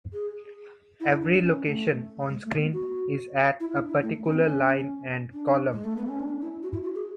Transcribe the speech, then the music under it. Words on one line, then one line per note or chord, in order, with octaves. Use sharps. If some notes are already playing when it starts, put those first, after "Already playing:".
Every location onscreen is at a particular line and column.
G#4
E4
D4
C#4
A3
G#3
A3
B3
F#4
E4
D4
E4
A3
C#4
B3
C#4
D4
G#3
A3
B3
C#4
D4
E4
F#4
E4
F#4
G#4